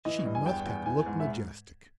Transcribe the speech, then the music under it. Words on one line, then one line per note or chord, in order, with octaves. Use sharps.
She must have looked majestic.
E3 D#5
G2
G#5
E2 G5
E2
E3 G#5
G#2
E5